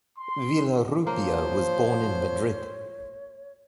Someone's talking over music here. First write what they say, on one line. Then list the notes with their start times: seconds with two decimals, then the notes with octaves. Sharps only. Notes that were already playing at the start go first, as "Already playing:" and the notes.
Villarrubia was born in Madrid.
0.18 C6
1.07 F3 A#3 C5 C#5